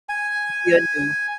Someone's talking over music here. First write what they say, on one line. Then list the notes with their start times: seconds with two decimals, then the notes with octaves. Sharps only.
still new.
0.09 G#5